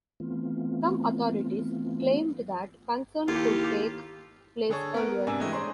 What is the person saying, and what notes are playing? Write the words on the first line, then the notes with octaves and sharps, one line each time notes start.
Some authorities claimed that consent could take place earlier.
E3 A3 B3 C4 F4
D#2 E4 F4 G4 A4
D3 G#4 A4 C#5
B3 A#4
G#2 C3 D4 G#5 E6
E3 G#3 A3 G4 D#5
D4 G#4 C5 C#5 A#5 C6